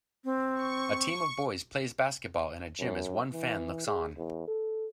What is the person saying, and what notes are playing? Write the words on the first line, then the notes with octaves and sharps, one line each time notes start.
A team of boys plays basketball in a gym as one fan looks on.
C4
C#6
F#2
E3
G#4
E2
A4